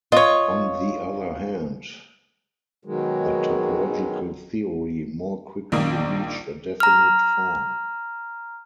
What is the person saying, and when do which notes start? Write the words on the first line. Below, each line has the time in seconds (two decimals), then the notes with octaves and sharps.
On the other hand, the topological theory more quickly reached a definitive form.
0.12 F4 C#5 D#5
2.85 B2 D#3 F#3 G#3
5.72 A#1 D#3 A#3 D#6
6.80 A#5 F6